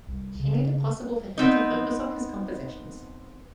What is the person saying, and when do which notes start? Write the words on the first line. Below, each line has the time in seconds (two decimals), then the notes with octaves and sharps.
She made it possible for him to focus on his compositions.
0.08 C2
0.39 C#3
1.38 B3 C4 D#4